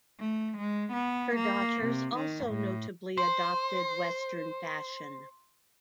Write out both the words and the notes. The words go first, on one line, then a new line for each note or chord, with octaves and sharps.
Her daughters also notably adopted Western fashion.
A3
G#3
B3
A#3
C3
D#3
A2
C5 C6